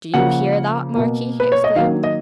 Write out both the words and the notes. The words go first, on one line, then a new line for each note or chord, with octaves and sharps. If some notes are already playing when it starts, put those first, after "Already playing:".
"Do you hear that, Marquis?" he exclaimed.
C#3 F3 A#3 F#5
B2 A#3
B4
C#5
D#5
D#3 F#3 A#3 F5
D#5